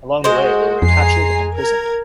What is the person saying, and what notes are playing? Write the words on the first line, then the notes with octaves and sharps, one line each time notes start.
Along the way, they were captured and imprisoned.
G#3 F#4 C5
F2 G#5 A#5 C7
A#4 G#6